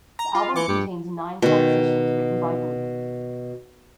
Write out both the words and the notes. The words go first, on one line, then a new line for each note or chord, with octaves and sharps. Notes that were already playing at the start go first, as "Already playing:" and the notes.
The album contains nine compositions written by Bloom.
A#5
F4
E3 D6 C#7
G2
B2 D#3